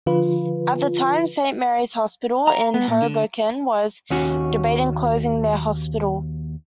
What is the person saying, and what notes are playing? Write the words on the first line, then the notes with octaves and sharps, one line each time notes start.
At the time, Saint Mary's Hospital in Hoboken was debating closing their hospital.
D3 F3 F4 B4
A#5
B3
A#2
D3
D#2 C#4 F#4